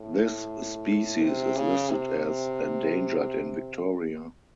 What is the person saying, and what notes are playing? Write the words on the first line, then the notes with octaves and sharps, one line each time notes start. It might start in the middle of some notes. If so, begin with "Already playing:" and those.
This species is listed as "endangered" in Victoria.
Already playing: A2
C3
C#3
C3